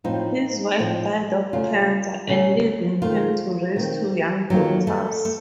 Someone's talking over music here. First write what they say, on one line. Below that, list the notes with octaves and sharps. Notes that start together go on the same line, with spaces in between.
His wife died of cancer, and leaving him to raise two young daughters.
A2 F3 C4 D#4 F4
A2 F3 C4 F4
C#3 F#3 A3 F4
C#3 F#3 A3
D#3 A3 C4 F4
D#3 A3 C4
D#2 D#3 F#3 A#3 F4 A4
A3
A3